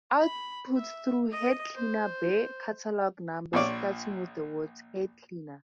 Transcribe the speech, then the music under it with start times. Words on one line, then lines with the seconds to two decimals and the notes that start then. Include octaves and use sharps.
Outputs through Head Cleaner bare catalog numbers starting with the words "head cleaner".
0.20 B5
0.76 E5
1.32 D#5
1.76 C5
3.53 A#1 A#2 C#5 D5